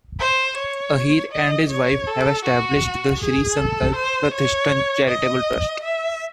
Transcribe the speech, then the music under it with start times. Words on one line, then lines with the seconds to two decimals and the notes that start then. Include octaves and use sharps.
Ahir and his wife have established the Shree Sankalp Pratishthan charitable trust.
0.19 C5
0.57 C#5
1.32 D#5
1.70 C#5
2.07 A4
2.45 F#4
3.20 G#4
3.57 A4
3.95 C5
4.33 C#5
5.08 D#5
5.83 E5